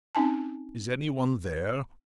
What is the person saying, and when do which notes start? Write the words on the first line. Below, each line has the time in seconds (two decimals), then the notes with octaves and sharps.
"Is any one there?"
0.15 C4 C#4 D#4 G#5 A5